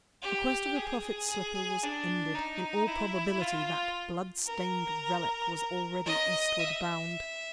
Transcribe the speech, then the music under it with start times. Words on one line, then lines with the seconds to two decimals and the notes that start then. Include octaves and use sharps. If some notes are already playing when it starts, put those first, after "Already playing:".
The quest of the Prophet's slipper was ended; in all probability that blood-stained relic was already Eastward bound.
0.22 G4
0.76 G#4
1.29 G#4
1.83 D4
2.35 D#4
2.88 E4
3.41 F4
4.47 A#4
6.06 D#5
6.60 E5